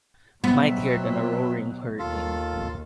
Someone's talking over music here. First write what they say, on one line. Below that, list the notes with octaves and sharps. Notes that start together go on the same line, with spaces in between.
Mightier than a roaring hurricane!
B2 F#3 B3 C4 E5
D#2 F4 A4